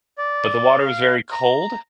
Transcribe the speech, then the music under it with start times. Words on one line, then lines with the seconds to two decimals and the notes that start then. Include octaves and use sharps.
but the water was very cold,
0.18 D5
0.78 F5
1.32 A#5